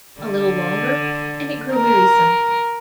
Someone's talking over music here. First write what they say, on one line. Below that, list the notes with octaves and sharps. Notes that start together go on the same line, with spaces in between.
A little longer, and it grew wearisome.
D3
A#4